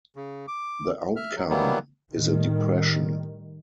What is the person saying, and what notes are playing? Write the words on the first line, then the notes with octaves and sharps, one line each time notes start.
The outcome is a depression.
C#3
D6
E5 F6
F#3
D#3 E3 F#3 G3 A#3 B3
A2 D#3 G3